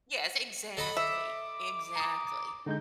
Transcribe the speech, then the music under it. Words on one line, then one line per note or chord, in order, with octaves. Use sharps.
Yes, exactly exactly,
A4 D#5 B5
E5 D6
A#5 D#6
D3 G#3 D#4 G6